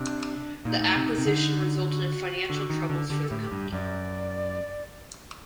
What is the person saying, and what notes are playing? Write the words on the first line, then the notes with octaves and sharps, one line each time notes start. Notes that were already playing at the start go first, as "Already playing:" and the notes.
The acquisition resulted in financial troubles for the company.
Already playing: C3 D4
A#2 D#4
A2
C3
C3
D3
D#4
F#4
D3
D#3
D3
D3 G4
A4
A2 G4
G4
G2
F#2 D5